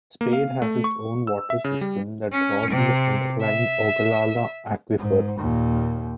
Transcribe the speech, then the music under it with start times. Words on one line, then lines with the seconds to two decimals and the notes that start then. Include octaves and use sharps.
Spade has its own water system that draws on the underlying Ogallala Aquifer.
0.21 A#3
0.33 F5
0.62 A3
0.84 C#6
1.27 E6
1.50 E5
1.64 C#3
1.81 G3
2.32 C#4
2.72 C3
3.41 E5
4.99 G#2
5.37 D#2 A#2